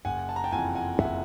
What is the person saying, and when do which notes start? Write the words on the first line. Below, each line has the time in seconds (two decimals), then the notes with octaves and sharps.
Setting out, I had three reasons for writing in the style I did.
0.05 F#1 F#5 G#5
0.29 A5
0.36 A#5
0.44 G5 A5
0.52 F2 C3 E3 F#5 G#5
0.75 F#5 G#5
0.99 F#1 E5 F#5